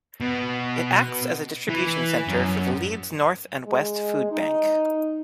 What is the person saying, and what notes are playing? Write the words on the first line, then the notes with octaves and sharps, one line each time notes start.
It acts as a distribution centre for the Leeds North and West Foodbank.
B2
E3
F#2
G#3
D#4